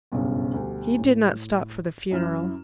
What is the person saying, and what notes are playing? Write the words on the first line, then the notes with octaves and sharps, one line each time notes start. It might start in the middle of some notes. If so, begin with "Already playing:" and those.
He did not stop for the funeral.
F#1 B1 E2 G2 C#4
D2 B2 G3
A2
F#2 E4 F6 E7